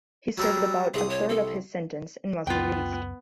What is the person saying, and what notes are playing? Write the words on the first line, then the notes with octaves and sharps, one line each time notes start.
He served about a third of his sentence and was released.
F#3 G3 A#4 E6
C2 G#4 D#6
C#5
A4
C#2 F#2 B3 F4 G5